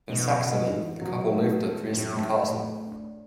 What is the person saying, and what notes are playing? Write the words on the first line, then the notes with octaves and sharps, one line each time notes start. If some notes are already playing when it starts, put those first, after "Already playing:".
In Saxony, the couple lived at Dresden Castle.
F#2 B2
F#2
E3
F#3
A3
A3
F#2 A2
A3
A3
D4